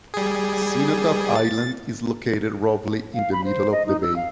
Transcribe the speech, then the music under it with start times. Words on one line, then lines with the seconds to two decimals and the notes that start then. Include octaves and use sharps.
Cenotaph Island is located roughly in the middle of the bay.
0.14 G3 G#4
1.36 A6
3.15 F5
3.32 B5
3.45 C5
3.72 D#5
3.86 D#4
4.02 E6
4.16 F5